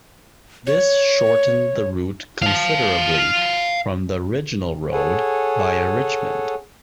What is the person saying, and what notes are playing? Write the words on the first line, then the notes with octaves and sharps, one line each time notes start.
This shortened the route considerably from the original road via Richmond.
C#5
F5 A5
G#4 A4 C#5 F#5 G#5